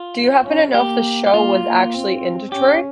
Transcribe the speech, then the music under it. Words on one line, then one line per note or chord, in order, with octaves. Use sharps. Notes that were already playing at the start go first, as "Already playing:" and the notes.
Do you happen to know if the show was actually in Detroit?
Already playing: F4
C#4
A#3 G4
G4
A#3 F4
A#3
C4
C#4 G4